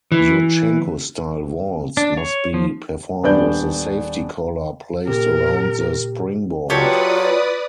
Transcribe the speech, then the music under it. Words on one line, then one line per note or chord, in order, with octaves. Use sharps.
Yurchenko-style vaults must be performed with a safety collar placed around the springboard.
E3
D4
C#5
F3
D#1 B3 D4 D5 G6
A#2 C#3 G4 A#4
F#3 F4 G4 A4 B4 C#5 D5 D#6